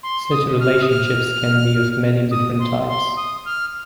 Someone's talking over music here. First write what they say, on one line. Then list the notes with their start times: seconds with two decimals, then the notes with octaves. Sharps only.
Such relationships can be of many different types.
0.03 C6
0.31 D#6
0.60 F6
0.82 D#6
0.88 F6
2.31 D#6
2.59 C6
2.88 C6
3.17 D#6
3.45 F6